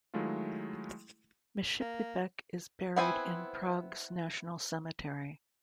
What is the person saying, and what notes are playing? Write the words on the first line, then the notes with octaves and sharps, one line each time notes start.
Myslbek is buried in Prague's National Cemetery.
D#3 F#3 G#3 A3 E4 F4
A#3
B3 C4 E4 C5 G#5